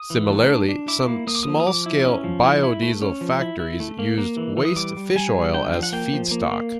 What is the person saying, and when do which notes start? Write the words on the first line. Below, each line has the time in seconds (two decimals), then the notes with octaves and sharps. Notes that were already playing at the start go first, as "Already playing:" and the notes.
Similarly, some small-scale biodiesel factories use waste fish oil as feedstock.
Already playing: D#6
0.10 E3
0.30 A3
0.49 D4
0.69 D4
0.88 E4 D6
1.07 A#3
1.27 A#3 D#6
1.35 D6
1.43 F3 D#6
1.60 D#6
1.67 F3 D6
1.86 E4
2.05 C#4
2.24 F3
2.44 E4
2.63 E4
2.82 A3
3.02 C#4
3.21 F3
3.41 E4
3.60 E4
3.80 A3
3.99 A#3
4.18 A#3
4.37 E3
4.57 E3
4.65 D#6
4.76 G3 D6
4.97 G3
5.16 G3 G#5
5.35 G3
5.54 D4 G5
5.74 F3
5.83 F#5
5.93 A#3 G5
6.13 F3
6.31 A#3
6.51 A#3